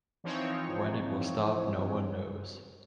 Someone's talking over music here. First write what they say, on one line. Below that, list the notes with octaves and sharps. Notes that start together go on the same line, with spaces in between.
When it will stop no one knows.
E3 F3 C4 D#4 C#5